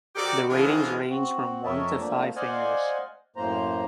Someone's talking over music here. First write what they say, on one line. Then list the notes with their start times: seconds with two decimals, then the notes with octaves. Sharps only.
The ratings range from one to five fingers.
0.16 D#3 F#4 G4 A4 C5 D5
0.50 D3 E3 G#3 C4 F4 G#4
1.09 C4 F#4
1.64 F2 A#4 C#5 D#5 E5 A5
1.97 D3 F3 A3 A#3
2.36 C5 D5 D#5 F5 F#5 G#5
3.36 F#2 A2 A#3 C5 A#5